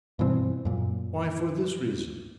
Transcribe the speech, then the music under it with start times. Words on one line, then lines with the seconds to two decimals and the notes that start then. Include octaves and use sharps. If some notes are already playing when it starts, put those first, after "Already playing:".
'Why, for this reason.
0.19 G2 B2 E3 C4
0.65 F#2 A#2